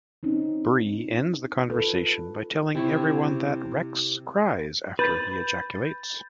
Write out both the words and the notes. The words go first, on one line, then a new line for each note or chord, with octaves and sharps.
Bree ends the conversation by telling everyone that, "Rex cries after he ejaculates".
C4 C#4 D#4
F4 A4 B4
C3 E4 C#5
B4 B5 G6 A6